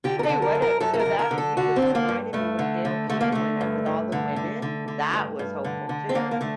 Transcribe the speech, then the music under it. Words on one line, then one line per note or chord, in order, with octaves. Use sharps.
Hey, what, uh so that you just reminded me when Gayle King went up with all the women, that was hopeful too.
D3 G4
A#4
A4
D3
A#4
F#2
A#4
F#2 A4
A4
A#4
D3
A#4
D3
A4
D3 F#4
C4
D3
A#3
G2
G2 A3
D3
D3
D3 A3
A#3
D3 A3
G2
G2
D3
D3
D3
D3
G2
G2
D3
D3
C4
D3 A#3
A#3
D3 A3